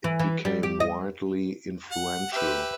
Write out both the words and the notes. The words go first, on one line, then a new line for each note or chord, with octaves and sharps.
It became widely influential.
E3
E3
G3
G4
D#5
F#5
G4 B4 E5